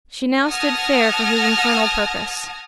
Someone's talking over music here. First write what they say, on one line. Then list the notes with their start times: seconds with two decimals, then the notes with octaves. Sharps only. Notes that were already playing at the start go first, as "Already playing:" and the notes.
She now stood fair for his infernal purpose.
0.46 F#5 A5 D#6 F6 G#6 A#6